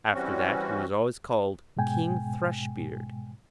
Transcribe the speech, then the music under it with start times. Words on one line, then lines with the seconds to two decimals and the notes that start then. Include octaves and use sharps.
After that, he was always called 'King Thrushbeard.'
0.14 E3 G3 C4 C#4 F#4
1.77 G#2 B2 G#3 G5 G#5